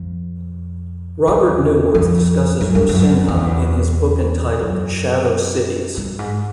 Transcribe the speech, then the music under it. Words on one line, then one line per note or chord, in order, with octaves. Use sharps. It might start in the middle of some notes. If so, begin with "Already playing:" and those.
Robert Neuwirth discusses Rocinha in his book entitled "Shadow Cities".
Already playing: F2
E2
F2
F#2
G2
F#2
E2
F#2
G2
G#2